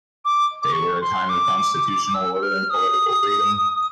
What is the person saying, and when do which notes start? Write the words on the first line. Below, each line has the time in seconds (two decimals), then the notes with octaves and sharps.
They were a time of constitutional order and political freedom.
0.25 D6
0.62 D6
0.72 C#6
1.01 C6
1.29 D6
2.14 E6
2.43 F6
2.70 D#6